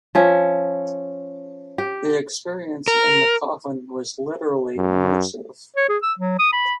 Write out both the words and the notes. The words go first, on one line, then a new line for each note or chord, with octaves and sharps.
The experience in the coffin was literally immersive.
F3 C#4 E5
G4
A#4
F#2
C#5
G#4
E6
F#3
D#6
B5